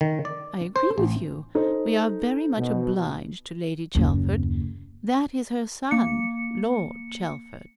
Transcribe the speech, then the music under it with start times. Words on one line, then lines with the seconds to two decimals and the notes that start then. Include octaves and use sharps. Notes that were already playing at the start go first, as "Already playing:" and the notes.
I agree with you--we are very much obliged to Lady Chelford--that is her son, Lord Chelford.'
0.01 D#3
0.25 D5
0.76 C5
0.98 A1
1.55 D#4 A4 C5
2.58 B2
3.95 F#1 D#2
5.91 A#3 C#7